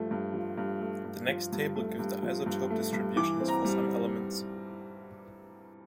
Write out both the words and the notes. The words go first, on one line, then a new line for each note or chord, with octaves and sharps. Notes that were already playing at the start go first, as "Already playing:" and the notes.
The next table gives the isotope distributions for some elements.
Already playing: G2 F3 A3
G2
F3
G2
A3
G2
F3
G2
A3
G2
F3
G2
A3
G2
E3 D6
C4
A#5
G3